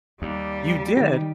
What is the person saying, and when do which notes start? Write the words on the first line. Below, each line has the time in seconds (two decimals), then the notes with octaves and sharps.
You did?
0.22 D#2 G3
0.97 D#3 D#4 G4